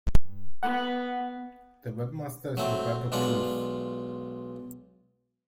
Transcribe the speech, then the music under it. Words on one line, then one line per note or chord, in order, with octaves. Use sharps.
The webmaster is Roberto Cruz.
B3 F#5
F#3 A3 C4
B1 G#3 D4 F4 F#5